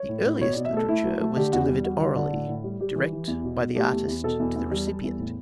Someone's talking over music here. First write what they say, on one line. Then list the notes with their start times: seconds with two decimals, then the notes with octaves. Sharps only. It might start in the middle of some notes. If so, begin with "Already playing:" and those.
The earliest literature was delivered orally direct by the artist to the recipient.
Already playing: C#5
0.09 A2
0.25 A2
0.41 B2 C#5
0.53 D5
0.56 B2
0.65 E5
0.73 A3 A4
0.88 A3 E4
1.04 F#3
1.20 A3
1.36 D3 G4
1.52 E2 F#4
1.60 G4
1.69 G3
1.84 G3 F#4
2.00 D3
2.16 D3
2.32 A2
2.48 A2
2.64 G3
2.80 G3 G4
2.96 E3
3.13 E3
3.28 E2
3.44 B2
3.60 B2
3.76 A3 G4
3.92 E2
4.08 E2
4.24 B2 A4
4.40 E2
4.56 E2
4.71 G3
4.88 G3
5.04 E2
5.19 A2